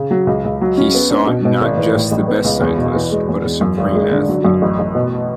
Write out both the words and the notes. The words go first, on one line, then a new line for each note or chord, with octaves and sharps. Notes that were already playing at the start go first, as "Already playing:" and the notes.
He sought not just the best cyclist but a supreme athlete.
Already playing: C#3
F#3
C#2
C#2
F#3
C#4
B3
D4
B2
B2
G#1
E3
A2
A1
B3
C#2
E2
B2
E3
G#3
E2
E2
F#2
G#1
G#3
D3
F#3
F#2
A1
A1
B2